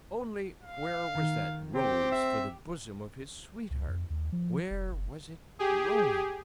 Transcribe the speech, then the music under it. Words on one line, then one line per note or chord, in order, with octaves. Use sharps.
Only, where was that rose for the bosom of his sweetheart--where was it growing?
F5
D#3
C4 G4
G4 E5
C#2
F2
D#2
F3
F1
F#1
G4 G#4